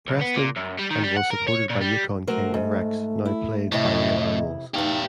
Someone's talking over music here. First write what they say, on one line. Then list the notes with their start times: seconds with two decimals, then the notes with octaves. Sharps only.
Preston, and was supported by Yukon King and Rex, now played by real animals.
0.08 B1
0.21 B3
0.36 A#2
0.57 F#2
0.79 G3
0.91 D#3
1.04 G3
1.16 F#5
1.30 A#4
1.47 C#5
1.70 A#2
1.81 G3
2.27 F#3 A3 A#4 C5
2.54 G#2
3.25 E4
3.72 F2 A2 C3 E4 D#5
4.74 E2 A2 D#4 G4 F5